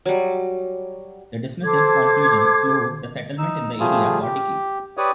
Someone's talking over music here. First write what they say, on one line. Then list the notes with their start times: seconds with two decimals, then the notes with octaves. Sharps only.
The dismissive conclusions slowed settlement in the area for decades.
0.06 F#3 G3
1.63 A4 C5 D6 G#6
3.38 D#4 E6
3.80 F3 G3 A3 F4 G#4
4.22 G4
4.97 G4 B4 C#5 D5 D#6